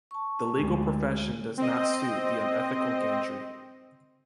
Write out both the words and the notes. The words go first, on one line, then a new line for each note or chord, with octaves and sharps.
The legal profession does not suit the unethical Gantry.
A5 C#6
D2 G#3
C4 D#5